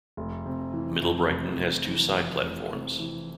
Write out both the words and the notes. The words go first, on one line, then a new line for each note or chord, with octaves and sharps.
Middle Brighton has two side platforms.
F1
C3
E3
F2
F1
C3
E3
F2
F1
C3
E3